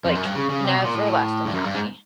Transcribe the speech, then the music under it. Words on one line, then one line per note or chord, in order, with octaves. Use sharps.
Like, never left the county.
F2
F#2
G2
C#3
C#3
C3
B2
A#2
A2
G2
F#2
G2
G#2